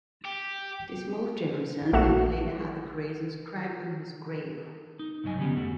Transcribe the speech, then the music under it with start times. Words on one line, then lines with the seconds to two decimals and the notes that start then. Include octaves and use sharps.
This moved Jefferson, and he later had the phrase inscribed on his grave.
0.25 G4
1.93 A#1 A3 F#4 E7
4.99 D#4
5.24 B1 G2 F#3 D#5 G#5
5.39 D3 G3 B3 C#4 G4
5.56 F2 A3 F#4